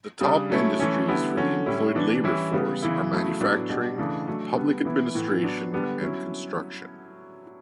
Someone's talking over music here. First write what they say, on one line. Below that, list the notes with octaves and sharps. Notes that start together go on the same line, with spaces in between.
The top industries for the employed labour force are manufacturing, public administration and construction.
C#3 G3 D4
F#3 A3 C#4 E4
E3 A3 C#4 E4
D3 G3 B3 E4
D3 F#3 C#4
A2 G3 C#4 E4
E3 B3 D4
E3 G3 C#4 E4
C#3 G3 B3
C#3 E3 B3 E4
C#3 F#3 A3 E4
A2 F#3 B3 D4
B2 G3 D4
C#3 E3 A3 D4
F#3 A3 D4
D3 G3 B3
E3 B3 E4
A2 E3 B3
F#3 B3 D4
D3 G3 B3 D4
F#3 C#4 E4